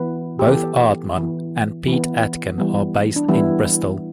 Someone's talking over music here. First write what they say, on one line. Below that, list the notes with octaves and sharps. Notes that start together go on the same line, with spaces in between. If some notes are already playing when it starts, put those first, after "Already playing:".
Both Aardman and Pete Atkin are based in Bristol.
Already playing: E3 B3 B4
G4
E3 B3 A4
E3 B3
E3 B3
E3 G3 B3
D4
E3 G3 B3 E4